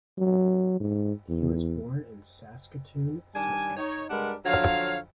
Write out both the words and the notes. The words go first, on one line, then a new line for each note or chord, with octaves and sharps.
He was born in Saskatoon, Saskatchewan.
F#3
G#2
E2
D#3 G3 D4 G#5
D#4 C#5
G3 G#3 D4 A#4 B4 F#5
D3 F3 F#3 C#5 F5